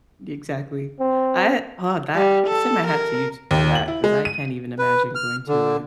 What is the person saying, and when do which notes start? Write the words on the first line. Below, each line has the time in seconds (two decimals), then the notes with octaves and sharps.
Exactly. I uh, oh, that. I send my hat to you t for that 'cause I can't even imagine going to a
1.00 C4
2.15 G3
2.47 A4
2.87 A#4
3.51 D#2
3.75 F#7
3.88 E4
4.04 G#3
4.25 D#7
4.79 B4
5.15 F6
5.48 D3